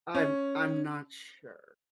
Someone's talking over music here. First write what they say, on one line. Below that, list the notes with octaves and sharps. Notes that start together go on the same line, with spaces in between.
I'm I'm not sure.
C#4